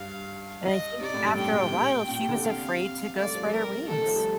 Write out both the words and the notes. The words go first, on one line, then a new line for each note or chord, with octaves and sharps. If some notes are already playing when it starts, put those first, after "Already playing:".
And I think after a while, she was afraid to go spread her wings.
Already playing: G2 F5
D#5
C3 D5
A2
G2
C3 G5
A#2
A2
A#2
A#2 G5
C3
D3
C3
F5
A3 D5
G3
F3
G3
A#4
A3 A4
D#3
F3
G3